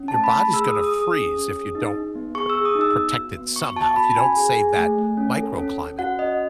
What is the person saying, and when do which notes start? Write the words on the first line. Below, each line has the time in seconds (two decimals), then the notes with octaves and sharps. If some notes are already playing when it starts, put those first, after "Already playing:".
Your body's gonna freeze if you don't, pr protect it somehow, if you don't save that microclimate.
Already playing: C#4
0.08 A5
0.14 A3
0.24 B5
0.33 A3
0.53 G#4 E6
0.68 D#6
0.73 G#4
0.84 D#6
0.94 G#4 D#6
1.15 C#4
1.35 C#4
1.55 G#4
1.75 D#4
1.94 D#4
2.15 B3
2.35 G#4 C#6
2.50 E6
2.56 G#4
2.65 D#6
2.75 D#4
2.81 E6
2.96 B3
3.16 F#4
3.36 B3
3.56 B3 C#6
3.76 F#4 A5
3.96 F#4 B5
4.17 C#4 G#5
4.37 G#4
4.56 G#4
4.77 A3
4.98 A3
5.17 C#4
5.37 A4
5.58 C#4
5.79 C#4
5.99 F#4 F#5
6.19 C#4 D#5